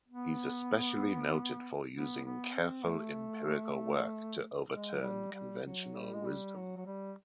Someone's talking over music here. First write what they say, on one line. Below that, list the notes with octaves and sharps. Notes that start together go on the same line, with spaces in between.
He's especially noted for using careful empirical work to overturn conventional wisdom.
B3
B3
B3
C4
A3
G#3
F#3
G3
G3
F#3
G3
G#3
G3
F#3
F#3
G3